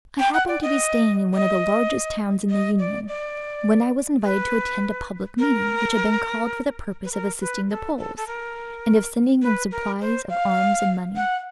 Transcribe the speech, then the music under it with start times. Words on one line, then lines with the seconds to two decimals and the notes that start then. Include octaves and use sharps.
I happened to be staying in one of the largest towns in the Union, when I was invited to attend a public meeting which had been called for the purpose of assisting the Poles, and of sending them supplies of arms and money.
0.19 G5
0.34 F#5
0.48 D5
0.62 D#5
1.35 D#5
2.50 D#5
2.79 D5
3.08 D5
4.23 B4
5.39 A#4
7.04 B4
7.12 A#4
7.41 B4
7.70 A4
7.98 A4
8.17 A4
8.27 A#4
9.43 B4
9.71 A#4
10.01 C5
10.30 F5
11.16 F#5